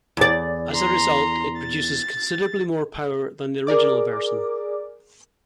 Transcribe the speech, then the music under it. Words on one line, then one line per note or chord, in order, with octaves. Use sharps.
As a result, it produces considerably more power than the original version.
E2 D5
A#5 C6
A6
G#4 A#4 D5 D6